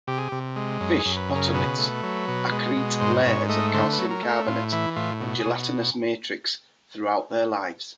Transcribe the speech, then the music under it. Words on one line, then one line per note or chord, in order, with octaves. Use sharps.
Fish otoliths accrete layers of calcium carbonate and gelatinous matrix throughout their lives.
C3 G4
G#4
C3 G4
G#3
F#2
G#4
F#2
B4
C#3
A#4
B2 B4
A3
F#3
B2
G#3
B2
G#2 C5
G#2 C#5
A3 D#5
D3 C5
B4
F#3
A#4
A3
A#4
A2 F4
E3 E4
A2 F4
B2
G#4
B2